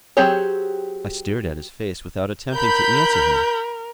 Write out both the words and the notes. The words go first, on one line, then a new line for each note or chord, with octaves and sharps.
I stared at his face without attempting to answer him.
F#3 C4 G4 G#4 C#5
A#4 B5 G6